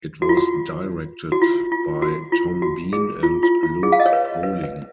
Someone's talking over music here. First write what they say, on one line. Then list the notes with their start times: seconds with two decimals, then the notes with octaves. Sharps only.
It was directed by Tom Bean and Luke Poling.
0.22 F#4
0.29 F4
0.37 F#4
1.32 F#4
1.42 F4
1.72 F4
2.02 F#4
2.32 F4
2.62 F#4
2.93 G#4
3.23 F4
3.43 F4
3.63 F4
3.83 G#4
3.92 F5
4.00 D#5
4.06 C#5
4.13 B4
4.43 B4
4.64 B4